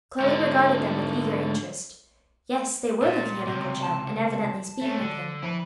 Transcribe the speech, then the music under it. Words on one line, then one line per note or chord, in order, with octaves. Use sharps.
Chloe regarded them with eager interest; yes, they were looking at Uncle Joe, and evidently speaking of him.
G#2 D3
A#2
C#2 C3
A5
A3 C#4
D3
F3 E4 B4